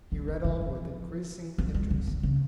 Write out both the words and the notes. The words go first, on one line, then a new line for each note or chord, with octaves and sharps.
He read on with increasing interest.
F#3
D#3
D3
F3
F3
G3
D3
D3
C#3